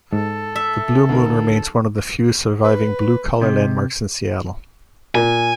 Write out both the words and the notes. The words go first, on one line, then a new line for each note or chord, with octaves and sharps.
The Blue Moon remains one of the few surviving blue-collar landmarks in Seattle.
G#2 A4
E5
D2 D#4 A#4
B4
C3 D#4
A#2 G#5